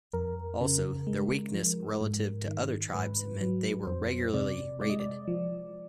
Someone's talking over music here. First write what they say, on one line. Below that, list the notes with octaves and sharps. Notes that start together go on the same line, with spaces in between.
Also, their weakness relative to other tribes meant they were regularly raided.
F2 A#4
C#3
G#3
F3
G#2
D#3
G#2 B4
F#3
F2 C5
C3 D5
G#3 D5
D#5
D5
F3